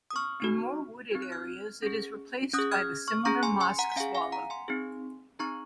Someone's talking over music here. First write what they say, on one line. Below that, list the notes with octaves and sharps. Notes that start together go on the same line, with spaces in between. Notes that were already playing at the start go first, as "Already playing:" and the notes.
In more wooded areas it is replaced by the similar mosque swallow.
D#6
C#6 F6
C4 D#4 F#4
C4 D#4 F#4 G#6
F#6
F6 G#6
C#4 G#4
C#4 G#4 D#6 F#6
F6 G#6
C#6 F6
C#4 G#4 A#5 C#6
G#5 C6
G#5 C6
F#5 A#5
F#5
C#4 G#4 F5 G#5
F5 G#5
F#5 A#5
G#5 C6
C4 D#4 G#4
C4 D#4 G#4 A#5 C#6